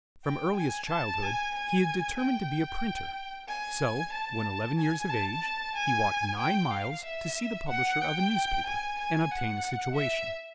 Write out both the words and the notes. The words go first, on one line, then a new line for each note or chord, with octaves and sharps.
From earliest childhood he had determined to be a printer; so, when eleven years of age, he walked nine miles to see the publisher of a newspaper, and obtain a situation.
G5
G#5
A5
G#5
G#5
G5
G#5
A5
G#5
A5
G#5
G5
F5
E5
F#5
G5
G#5
G#5
F#5
E5